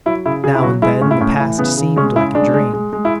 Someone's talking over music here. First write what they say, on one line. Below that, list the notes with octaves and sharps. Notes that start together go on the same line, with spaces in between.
Now and then the past seemed like a dream.
F#3 E4
C#3 E4
C#3 G#4
E4
F#3 F#4
G#3 E4
A2 C#4
E4
A2 C#4
E3
C#3 B3
C#3
G#3 C#4
C#3 E4
G#3 D4
G#3
G#3
G#3
E4